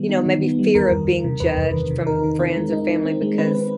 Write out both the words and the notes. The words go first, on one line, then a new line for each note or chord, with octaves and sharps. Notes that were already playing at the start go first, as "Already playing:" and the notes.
you know, maybe fear of being judged from friends or family because
Already playing: D#3 G3 B3
D#4
D#3
B3
G3
E2 A#4
E2
D#3
C3
E2 B4
E2
D#3
C3
D#4 A#4
D#3
C4
G#3
D#4
D#3
C4
G#3
C4 B4